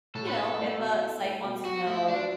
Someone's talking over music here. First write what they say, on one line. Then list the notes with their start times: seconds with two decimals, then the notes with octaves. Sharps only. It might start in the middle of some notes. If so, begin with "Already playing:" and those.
you know, if a site wants to know,
0.15 A2 A4
0.27 B4
0.37 E4 A4
0.58 A3
0.79 B2
1.01 E4
1.23 A3
1.44 B2
1.65 F#3 F#4
1.87 A3 E4
2.08 F#3 D4